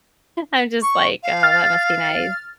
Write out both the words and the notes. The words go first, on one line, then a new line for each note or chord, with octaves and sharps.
I'm just like, "Oh, that must be nice."
C#6
F5
F6 A6